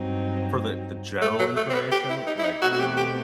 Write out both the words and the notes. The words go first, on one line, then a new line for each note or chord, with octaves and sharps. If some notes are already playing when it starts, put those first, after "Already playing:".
for the the general information, like, um,
Already playing: G2 F#3 C4 D#4
A3
F#3
A3
C4
B3
G4
E4
D#4
E4
D#4
B2 A3 C4 F#4
F#4
G4
G4